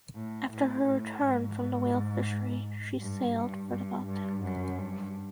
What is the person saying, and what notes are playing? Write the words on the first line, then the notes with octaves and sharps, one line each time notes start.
After her return from the whale fishery she sailed for the Baltic.
A2
A2
A2
G#2
G2
G2
G2
G2
F#2
G2